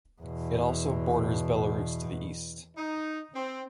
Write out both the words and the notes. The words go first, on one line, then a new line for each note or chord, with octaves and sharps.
It also borders Belarus to the east.
E2 B2
D#4
C4